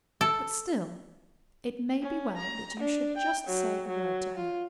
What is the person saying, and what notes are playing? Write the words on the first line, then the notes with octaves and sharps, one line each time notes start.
But still, it may be well that you should just say a word to her.
A4
C#4
A#5
D4
G5
F#3
F#3
F4